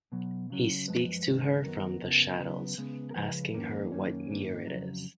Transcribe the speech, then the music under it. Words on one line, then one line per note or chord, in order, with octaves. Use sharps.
He speaks to her from the shadows, asking her what year it is.
B2 F#3 B3
C#3 F#3 C#4
F#2 F3 G#3 B4
G#2 D#3 G#3 C#4
F#2 D#3 F#3 B3 A#4
F2 C#3 F3 B3
C#3 F#3 B3 B4
C#3 G#3 B3
A#4
C#3 F3 G#3 B4
F2 D#3 A#3 C#4
F#2 D#3 A#3 C#4
G#2 D#3 A#3
F2 C#3 F#3